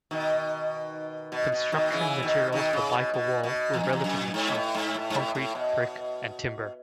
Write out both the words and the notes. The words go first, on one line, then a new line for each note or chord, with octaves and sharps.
Construction materials for Byker Wall were relatively cheap, concrete, brick and timber.
B2 D#3
B2
B2
B2 D#3
C#3 E3
B2 D#3
B2 D#3
C#3
B2
B2
B2
E2
F#2
E2
F#2
G#2
B2
A2
G#2
A2
G#2
A2
A2
B2